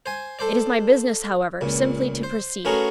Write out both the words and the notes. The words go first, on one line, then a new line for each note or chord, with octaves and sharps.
It is my business, however, simply to proceed.
C5 G#5
A4 C5 D5
C#2 A#2
C5
A3 B3 C#4 F#4 G#4 A#4